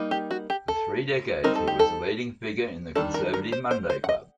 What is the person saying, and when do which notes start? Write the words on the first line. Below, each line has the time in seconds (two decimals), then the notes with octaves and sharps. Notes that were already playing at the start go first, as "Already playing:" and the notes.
For three decades, he was a leading figure in the Conservative Monday Club.
Already playing: G3 A#3 D#4
0.11 G4
0.31 F#4
0.50 G4
0.68 A4
1.44 G3 C4 D#4 A#4
1.55 A4
1.68 G4
1.79 A4
2.95 D#3 G3 D4 A4
3.14 A#4
3.34 A#4
3.52 C5
3.71 C5
3.90 C5
4.04 F#5
4.09 D#5